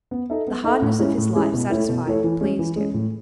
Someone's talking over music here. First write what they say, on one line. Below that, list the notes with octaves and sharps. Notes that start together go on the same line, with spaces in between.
The hardness of his life satisfied and pleased him.
B3
D#4 A4 E5
B3
D#4 A4 E5
A2
G#3 C#4 E4 G#4
A2
G#3 C#4 E4 G#4
B2
A3 E4 A4 C#5
B2
A3 E4 A4 C#5
E3
G#3 C#4
E3
G#3 C#4
A2